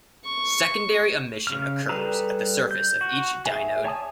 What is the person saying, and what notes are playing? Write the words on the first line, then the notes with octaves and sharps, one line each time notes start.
Secondary emission occurs at the surface of each dynode.
C#6
C#3 F6
G3 G#4 A4 B4 A#5
G6
F#4
G#4 E5 G#5
C#5 G#5 A5 D#6